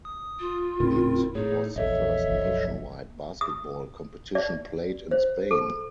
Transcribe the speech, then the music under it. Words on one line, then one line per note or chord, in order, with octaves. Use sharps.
It was the first nationwide basketball competition played in Spain.
D#6
F4
D#1 A2 C#3 C4 E4 A#4
A2 D#4 G#4 C#5
A#1 E2 A4 C#5 D#5 E5
F#1 B1 F3
D#6
D5
C5
A4